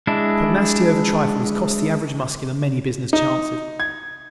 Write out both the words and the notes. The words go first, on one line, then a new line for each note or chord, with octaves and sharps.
Pugnacity over trifles costs the average Muscular many business chances.
G#3 D4 E4
D#4
G#6